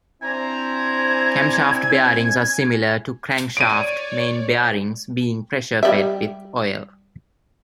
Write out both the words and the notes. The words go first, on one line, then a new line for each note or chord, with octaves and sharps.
Camshaft bearings are similar to crankshaft main bearings, being pressure-fed with oil.
C4 D4 E4 C5 G#5 A#5
C#5 D5 D7 D#7
G3 E5